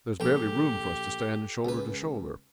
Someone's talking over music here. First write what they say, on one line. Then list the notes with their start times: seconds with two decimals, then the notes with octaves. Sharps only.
There was barely room for us to stand, shoulder to shoulder.
0.20 A#1 G4 A4 G5
1.65 C#2 B4